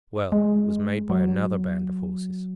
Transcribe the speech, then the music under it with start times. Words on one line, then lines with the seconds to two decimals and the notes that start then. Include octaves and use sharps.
"Well, it was made by another band of horses."
0.32 G#3
1.10 F#3